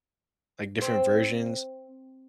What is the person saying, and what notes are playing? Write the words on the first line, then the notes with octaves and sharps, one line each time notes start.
like, different versions.
C4